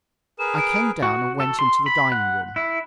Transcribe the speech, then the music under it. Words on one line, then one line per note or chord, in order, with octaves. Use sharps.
I came down and went into the dining room.
G#4 A#4 B4 E7
D7
F#4
A4
C6
B5
F#5
E4